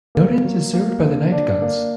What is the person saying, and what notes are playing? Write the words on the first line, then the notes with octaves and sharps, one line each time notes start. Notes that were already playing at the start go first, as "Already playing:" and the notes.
Nodens is served by the Nightgaunts.
A#3
F#3
A#3
D3
D4
A#3